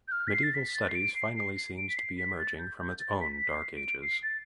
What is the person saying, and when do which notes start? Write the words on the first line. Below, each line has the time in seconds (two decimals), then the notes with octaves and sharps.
Medieval studies finally seems to be emerging from its own Dark Ages.
0.08 G6
0.12 F6
0.27 B6
0.33 C7
0.43 A6
0.54 B6
0.74 A6
0.89 C7
0.95 D7
1.15 C7
1.36 C7
1.57 C7
1.77 D7
1.89 B6
1.97 C7
2.18 B6
2.39 A6
2.59 G6
2.80 G6
3.00 A6
3.21 B6
3.36 B6
3.49 C7
3.76 D7
4.02 C7
4.23 A6